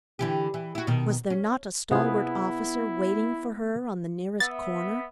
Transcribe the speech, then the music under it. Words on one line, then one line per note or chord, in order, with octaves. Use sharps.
Was there not a stalwart officer waiting for her on the nearest corner?
D3 E3 G4
E3
E4 F#4
B2 D#3
C#4
C3 B3 E4 F4 G#4
B3 E5 A6